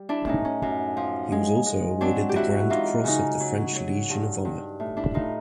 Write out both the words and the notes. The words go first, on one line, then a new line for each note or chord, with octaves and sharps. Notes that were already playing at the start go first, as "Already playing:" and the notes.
He was also awarded the Grand Cross of the French Legion of Honour.
Already playing: G3
D4 E4
A2 C#4 D#4
C#4
F#2
F3
G#3
G#3
F#3 C4 D4
G4
F#3 E4 F#4
E3 D#4 F4
C#3 C#4 D#4
F#3
F#3
G2
G2
A2
D4 E4
A2 D#4 F4